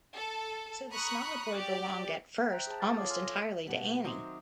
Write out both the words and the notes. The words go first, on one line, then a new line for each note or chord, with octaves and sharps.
So the smaller boy belonged at first almost entirely to Annie.
A4
A#5 B5 C#6 D#6 F#6
G4 D5
C5 E5 G5 A#5 F#6
G#4 A5
F#5 F6 A6
F4 C#5 F5 D6 D#6
A4 G#5 C6 F6
A#6
B2 G3 B4 F#5
D#3 F#3 C4 C5 E5 C6 D6 D#6